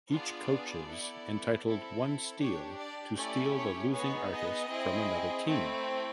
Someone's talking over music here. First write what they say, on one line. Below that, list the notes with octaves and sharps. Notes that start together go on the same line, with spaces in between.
Each coaches entitled one "Steal" to steal the losing artist from another team.
B3 D4 F4 G#4 D5
B3 E4 A4
C4 E4 A4
D4 G4 C#5
D5
A3 C#4 E4 G4 D5
C#5
B3 D#4 G#4 C#5
D#5
C4 E4 G#4
A3 C4 E4